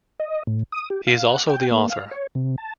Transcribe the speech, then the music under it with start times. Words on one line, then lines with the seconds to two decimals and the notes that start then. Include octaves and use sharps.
He is also the author.
0.20 D#5
0.47 A2
0.72 D#6
0.90 G4
1.07 F5
1.28 F#5
1.47 G5
1.71 A#3
1.90 F5
2.11 C#5
2.35 C3
2.58 A5